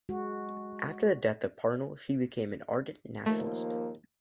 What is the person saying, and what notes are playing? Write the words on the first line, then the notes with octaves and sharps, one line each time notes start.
After the death of Parnell she became an ardent nationalist.
G#3 F#4
D#2 F3 A3 A#3